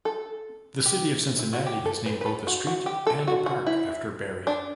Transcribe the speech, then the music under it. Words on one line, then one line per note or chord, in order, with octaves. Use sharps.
The city of Cincinnati has named both a street and a park after Berry.
A4
G4
E4
F#4
G4
A4
B4
B4
A4
F#4
F#4
G4
A4
F#4
F#4
E4
D4